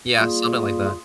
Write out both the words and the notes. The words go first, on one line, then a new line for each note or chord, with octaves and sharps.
Yeah, something like that.
G3 A#3 F4 G#4